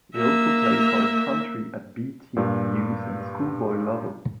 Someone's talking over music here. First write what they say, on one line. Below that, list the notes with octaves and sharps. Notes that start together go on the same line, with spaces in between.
He also played for his country at 'B' team, youth and schoolboy level.
A#3 E5
G2 A#2